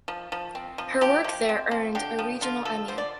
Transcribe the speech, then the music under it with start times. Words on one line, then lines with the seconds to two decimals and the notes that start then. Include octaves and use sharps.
Her work there earned a regional Emmy.
0.08 F3
0.32 F3
0.55 C4
0.78 F3
1.01 F3 G4
1.24 F3
1.49 C4
1.71 F3
1.95 D3 G4
2.19 F3
2.41 D3 F4
2.65 F3 A4
2.88 D3 C5
2.98 D5